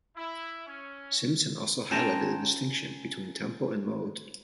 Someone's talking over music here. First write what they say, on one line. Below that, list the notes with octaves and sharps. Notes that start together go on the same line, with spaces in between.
Simpson also highlighted the distinction between tempo and mode.
E4
C#4
C#4 F4 G5 A5 A#5